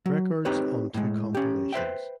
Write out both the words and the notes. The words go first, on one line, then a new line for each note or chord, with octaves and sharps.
Records on two compilations.
F#3
C4 D#4 G4 B4 C#5
A2 G#3
C#4 G4
B4 C5 E5 G5